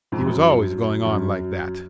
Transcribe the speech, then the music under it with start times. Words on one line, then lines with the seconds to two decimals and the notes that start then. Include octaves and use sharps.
He was always going on like that.
0.12 F2 G#2
0.27 F#2
1.05 F#2